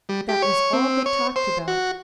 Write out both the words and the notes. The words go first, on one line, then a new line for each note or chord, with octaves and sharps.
That was all they talked about.
G3
G4
C#5
C4
C#5
C5
F#4